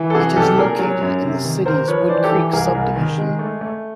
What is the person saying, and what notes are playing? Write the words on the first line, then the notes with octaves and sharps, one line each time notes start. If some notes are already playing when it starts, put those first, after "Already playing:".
It is located in the city's WoodCreek subdivision.
Already playing: E3
A4
C3 F#4 G#4
B1 G4 A4
A#2 G#4 A#4
F#3
F#2
C3
D#3
D#2 A#4 C5
F3 B4 C#5
E3 C5 D5
G4 A4
E3
C2 G#4 A#4
C2
D#3
G#3
A3
A3